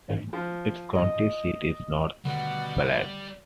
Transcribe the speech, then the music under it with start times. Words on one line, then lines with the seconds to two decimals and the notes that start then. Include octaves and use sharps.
Its county seat is North Platte.
0.33 F3
0.95 D#5
2.25 B2 D3 D#3 G3 A3 F#5